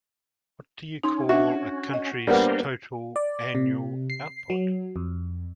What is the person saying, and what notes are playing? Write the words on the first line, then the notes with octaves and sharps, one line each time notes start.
What do you call a country's total annual output?
C#4 D#4 C6
D4 F#4 E5
D#5
G3 A#3 B3 D4 A#4 C5 D5 F#5
D5
C3
C7
F#3
F2